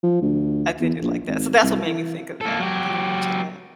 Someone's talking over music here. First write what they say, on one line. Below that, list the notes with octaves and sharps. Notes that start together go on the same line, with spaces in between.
I did it like that. So that's what made me think of that when you mentioned that.
F3
D2
E2
A#1
G#1
C2
E3
A#3 A4
F#3 G4